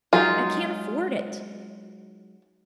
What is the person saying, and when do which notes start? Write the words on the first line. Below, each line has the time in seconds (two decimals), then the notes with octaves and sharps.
I can't afford it.
0.13 F#3 G#3 D#4 F4